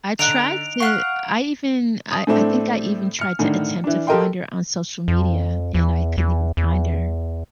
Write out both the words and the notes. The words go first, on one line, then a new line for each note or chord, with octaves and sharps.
I tried to I even I I think I even tried to attempt to find her on social media, and I couldn't even find her.
D3 D#4 F#5 D7 F7
F5 F#5 C#6 F6 F#6
D#6
A2 A3 C4 D4 A4
F6 C#7
A2 D3 D#3
E3 D4
G4 A4 A#4 D#5 G5 C6
F2
E2
E2
E2